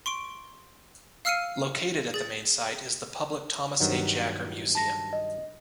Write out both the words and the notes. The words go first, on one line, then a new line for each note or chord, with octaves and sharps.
Located at the main site is the public Thomas A. Jaggar Museum.
C6 C#6 D7
F5 E6 F6 C7 C#7 D#7
G#4 A6
G2 D#3 F#3
A5 A#6
D#5